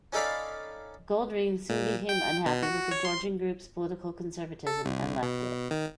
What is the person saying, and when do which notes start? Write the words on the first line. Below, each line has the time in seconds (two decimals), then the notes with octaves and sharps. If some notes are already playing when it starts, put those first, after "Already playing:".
Goldring soon became unhappy with the Georgian Group's political conservatism and left it.
0.13 C#4 D#4 A4 D5 F5 B5
1.69 A#2
2.09 G5
2.46 B2
2.63 F#4
2.91 C#5
3.05 C6
4.67 A4
4.85 C2
5.23 B2
5.71 D#3